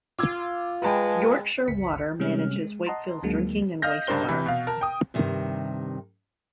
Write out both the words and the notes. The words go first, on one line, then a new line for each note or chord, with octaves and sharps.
Yorkshire Water manages Wakefield's drinking and waste water.
F4 D6 E6 G#6
G#3 B4 G5 A5 B5
G1 C#2 B6 C#7
C3 G3 G#3 C#4 F6
G#3
D#5 F#5 A5 A#5 C6
D2 D3 F#3 G#3 A#3
D#5 F5 F6 G6 A#6
C#2 G2 D4 A#4 C5 G7
C3 E3 B5
B2 F5
A#4 A5
G5 D#6
G2 C3 D#3